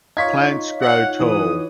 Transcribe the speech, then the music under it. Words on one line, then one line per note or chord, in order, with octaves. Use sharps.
Plants grow tall.
D#4 F4 C#5 G#6 B6
F5 F#5
E3 D#6